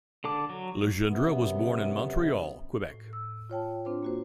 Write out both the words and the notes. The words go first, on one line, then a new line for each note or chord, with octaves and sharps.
Legendre was born in Montreal, Quebec.
D3 A4 A5 D6
F#3
F#2 C3 B3
A2
E6
F4 C#5 G5 A5
C4 D4 F4 C5
A#3 F#4 C5